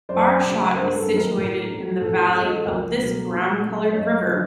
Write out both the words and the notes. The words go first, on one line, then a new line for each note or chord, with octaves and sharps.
Aarschot is situated in the valley of this brown-colored river.
F#2 C5 D5
C#3 F#3
G2 A#4 C5
A4 B4
D#3 F#3
A#4
A2
F3 A3
A2 A4
A4
E3 G#3
A4
C#2 A#4
B2 F#3 A3
A#2
F#3 A3
E5
F#2 C#5 D#5
D3 F#3